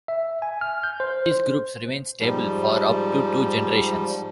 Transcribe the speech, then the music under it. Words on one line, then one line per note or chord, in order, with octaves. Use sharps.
These groups remain stable for up to two generations.
E5
G#5
F6
G6
C5
C5
G#2 F3 G3